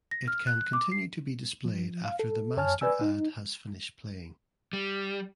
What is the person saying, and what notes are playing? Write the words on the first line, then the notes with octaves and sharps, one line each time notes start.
It can continue to be displayed after the master ad has finished playing.
A#6
F6
F#6
D6
C7
F3
F5
A4
F#2 C#5 G#5 A5 F6
B4 D5 G#5 E6
D#4
G3